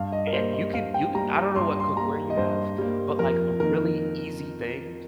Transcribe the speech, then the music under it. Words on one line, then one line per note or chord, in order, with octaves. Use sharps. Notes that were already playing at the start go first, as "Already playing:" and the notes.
and you can you can, I don't know what cookware you have, but, like, a really easy thing
Already playing: G2 F5
D#5
A#4
G3 A#3 C5
D#5
G2 F5
G5
G3 A#3 A#5
A#5
G2 C6
C6
G3 A#3 A#5
D#5
G2 C5
G3 A#3
F2 A#4
D#3 A#3 D#4 A#4